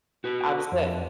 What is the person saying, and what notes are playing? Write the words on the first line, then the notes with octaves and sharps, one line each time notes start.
I was good.
F#4 B4
F2